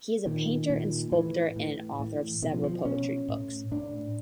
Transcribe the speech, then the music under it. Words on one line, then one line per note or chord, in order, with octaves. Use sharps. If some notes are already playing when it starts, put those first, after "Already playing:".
He is a painter and sculptor and an author of several poetry books.
A#2 D#3
A#2
A2 E3
A2
A2
B2 D#3
F3
F3
B2 C#4
A2
A2 D4